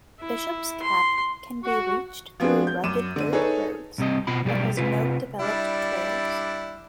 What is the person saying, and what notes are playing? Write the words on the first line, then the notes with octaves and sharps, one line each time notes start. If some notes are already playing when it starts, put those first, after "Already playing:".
Bishop's Cap can be reached through rugged dirt roads, but has no developed trails.
E4
C6
F#4
F3 B3 C4 D4 F#4 G#4
G6
F#2 D6 D#7 E7
D3 D#7
D#4 G#4 A4 B4 C#5
C2 C3 D#5
B2 F4 B5
B1 G3 G#4 D5
C3 F4 B4
G3 D4 E4